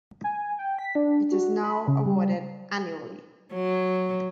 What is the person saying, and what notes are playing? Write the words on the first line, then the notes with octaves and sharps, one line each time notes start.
It is now awarded annually.
G#5
G5
B6
D4
F#4
B5
C#3
G3
F#3